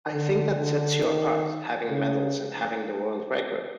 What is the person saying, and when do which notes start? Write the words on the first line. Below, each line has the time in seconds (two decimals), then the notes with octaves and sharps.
I think that sets you apart, having medals and having the World record.
0.13 D3
0.56 D3
1.00 D#3
1.88 C#3